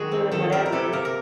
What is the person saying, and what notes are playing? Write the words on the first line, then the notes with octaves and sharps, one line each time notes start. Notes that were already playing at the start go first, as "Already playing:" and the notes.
doing whatever,
Already playing: D#3 G#3 F#4 G#4
C4
D#3 A4
E4 A#4
A#4
C3 A4
A#3 A#4
A#4